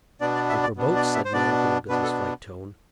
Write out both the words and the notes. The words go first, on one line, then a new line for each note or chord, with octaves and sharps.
"Paper boats," said Melick, in a business-like tone.
B2 B3 D4 D5
D5
E5
D5
B2 B3 D4
D5
E5
C5
B2 B3 D4 D5
B2 B3 D4 B4
A4